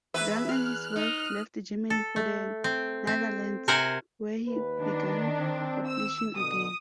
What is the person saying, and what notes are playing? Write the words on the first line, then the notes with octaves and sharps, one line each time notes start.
Jung and his wife left Germany for the Netherlands, where he began publishing again.
E2 B4 E5
F6 F#6
D#4
A4
A3
C4
C4
C3 A#4 C5 F#5 G#5 A#5
D#2 B4
D#3 D4
C4
E6
B2 D3 D#6